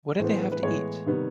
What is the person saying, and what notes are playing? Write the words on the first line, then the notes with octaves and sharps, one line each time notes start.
What did they have to eat?
A2 E3 G#3 B3 C5
C5
B4
B4
A2 E3 G#3 B3 C#5
C3 D#3 G3 B3